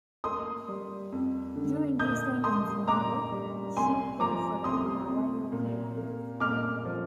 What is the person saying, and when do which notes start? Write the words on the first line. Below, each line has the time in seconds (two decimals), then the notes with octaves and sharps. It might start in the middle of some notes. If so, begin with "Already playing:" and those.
During his time in Zimbabwe, Shue played for the Bulawayo Highlanders.
0.24 A#3 C6 D#6
0.68 G3
1.12 F2
1.56 D3
1.99 A#2 D#6 G6
2.44 A#3 C6 D#6
2.88 A#2 A#5 D6
3.32 G3
3.77 C2 G#5 C6
4.20 F3 A#5 D6
4.64 C2 C6 D#6
5.08 C3
5.52 A#2
5.97 A#3
6.40 A#2 D6 F6
6.85 F3